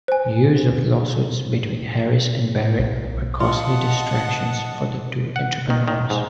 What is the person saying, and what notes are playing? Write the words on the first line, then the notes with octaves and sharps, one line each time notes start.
Years of lawsuits between Harris and Barrett were costly distractions for the two entrepreneurs.
C5 G#5
B1
F4 D#5 F#5 A5
F#5
D#3
D#3
G#2